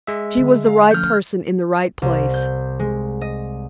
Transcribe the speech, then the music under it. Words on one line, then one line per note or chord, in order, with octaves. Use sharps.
She was the right person in the right place.
G#3 E5
D3
F5 A#5
F3 A3 C#4 F6 G6
C2
G6
G#3
D#5